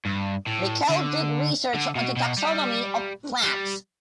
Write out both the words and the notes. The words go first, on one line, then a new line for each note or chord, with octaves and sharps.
Miquel did research on the taxonomy of plants.
G2
A2
D3
D3
B2
B2
G3
G3